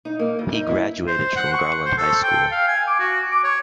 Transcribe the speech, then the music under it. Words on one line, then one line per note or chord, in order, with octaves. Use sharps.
He graduated from Garland High School.
D#4
A#3
D2
D#4
E4
C5
F#5
C#6
C5
A4
G5
F5
G#5
D6
F#4
D6
C#5